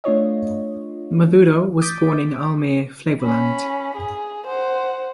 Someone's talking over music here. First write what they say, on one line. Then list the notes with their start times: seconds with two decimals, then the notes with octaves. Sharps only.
Maduro was born in Almere, Flevoland.
0.04 A3 D4 F4 C#5 D#5
1.81 D6 D#6 G6 A6 B6 D7
3.21 C#4 B5
3.97 G#4
4.47 C5 F#5